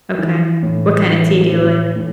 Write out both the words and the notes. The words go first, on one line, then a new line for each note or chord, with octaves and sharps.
Okay. What kinda tea do you like?
E3
A2
E3
A2
A2